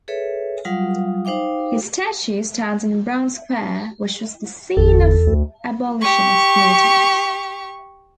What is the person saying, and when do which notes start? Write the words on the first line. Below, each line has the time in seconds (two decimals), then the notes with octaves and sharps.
His statue stands in Brown Square, which was the scene of abolitionist meetings.
0.08 G#4 A4 B4 C#5 E5
0.65 F#3 G3 F4 F5 F#5 D#6
1.25 D#4 C5 F5 G5 D6
4.77 G1 E2 A4
5.27 D2
6.01 G4 C#6